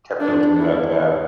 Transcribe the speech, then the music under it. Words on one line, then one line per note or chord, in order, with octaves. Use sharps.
Kept building it up, yeah.
D4
E4